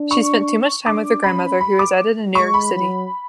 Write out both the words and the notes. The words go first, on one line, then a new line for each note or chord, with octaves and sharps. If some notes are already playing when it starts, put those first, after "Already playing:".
She spent much time with her grandmother, who resided in New York City.
Already playing: D4
C#6
D4 D6
C#4 B5
B5
D6
G#3 C#6
B5
F#3